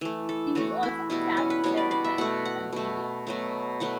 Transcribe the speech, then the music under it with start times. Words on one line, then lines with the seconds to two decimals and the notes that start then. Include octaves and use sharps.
He was also capped several times with Albania.
0.01 E3 A3
0.29 A4
0.55 E3 A3 F#4
0.83 E4
1.10 B2 G3 B3 E4
1.37 C#4
1.50 B4
1.64 B2 G3 B3 C#5
1.77 D5
1.91 D5
2.04 E5
2.18 B2 A3 F#5
2.45 F#5
2.73 B2 A3
3.27 B2 F#3 A3
3.80 B2 F#3 A3 F#5